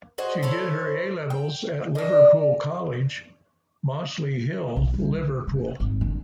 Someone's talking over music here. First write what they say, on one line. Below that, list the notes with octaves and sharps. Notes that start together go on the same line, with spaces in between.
She did her A-levels at Liverpool College, Mossley Hill, Liverpool.
F#4 G#4 C5 D#5
E4 A4 C5 C#5
G5
D4 D#5
B1
G3
C#3
G#1
D3